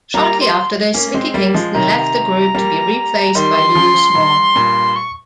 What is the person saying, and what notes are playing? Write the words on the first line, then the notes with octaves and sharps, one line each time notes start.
Shortly after this Vicky Kingston left the group, to be replaced by Lulu Small.
G3 A#3 A#5
C6
A#3 C#4
G#3 C4
G3 A#3
F3 G#3
C3 D#3 A#5
G3 A#3
D#3 G3 C6
C#3 F3
G2
G2 A#2
C#6